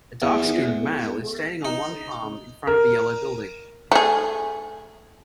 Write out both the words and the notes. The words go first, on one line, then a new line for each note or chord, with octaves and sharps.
A darkskinned male is standing on one palm in front of a yellow building.
E2
D#4
A#4
A3 G#4